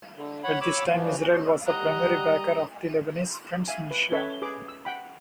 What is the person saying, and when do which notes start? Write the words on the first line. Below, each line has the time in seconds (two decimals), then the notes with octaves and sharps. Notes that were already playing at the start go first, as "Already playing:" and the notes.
At this time, Israel was the primary backer of the Lebanese Front's militia.
0.17 D3
0.44 C#5 F#5 B5
0.61 C#5 B5 D6 E6
0.91 E3 F3
1.67 G3 D#5 F#5 A#5
3.68 E5 F5 G#5
3.91 B4
4.12 C#4 A4 B4 C#5 E5
4.42 G#4 B4 D6
4.68 E6
4.85 F#5 G5 B5